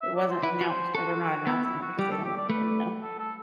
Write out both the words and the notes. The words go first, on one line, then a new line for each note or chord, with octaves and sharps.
it wasn't announced or they're not announcing it because they don't want people to know.
E5
D5
C5
E4 B4
F#4
C5
F#4 A4
F#4
B3 E4
E4
F#4
G3 G4
A4
G4
D5
A3 B4
A4
A4